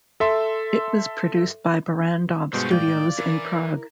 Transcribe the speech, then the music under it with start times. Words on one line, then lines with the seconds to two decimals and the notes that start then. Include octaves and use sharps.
It was produced by Barrandov Studios in Prague.
0.20 A4 E5 C6
2.53 G2 B2 D3 G#3 C#4 C5
2.71 A2 G#3 D5 F5 G5
3.18 E3 E4 A#4